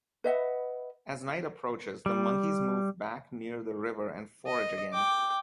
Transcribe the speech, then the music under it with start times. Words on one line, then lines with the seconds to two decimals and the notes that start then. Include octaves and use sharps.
As night approaches, the monkeys move back near the river and forage again.
0.24 B4 D#5 E5 F#5
2.06 G3
4.46 D#5
4.93 G5 D6